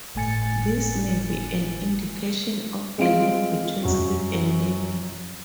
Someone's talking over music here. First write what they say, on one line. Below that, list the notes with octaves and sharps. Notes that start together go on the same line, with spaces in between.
This may be an indication of a link between sleep and learning.
G1 A2 A3 G#5 A6 C#7
G#3 C4 F4 F5 D7
F#2 F#4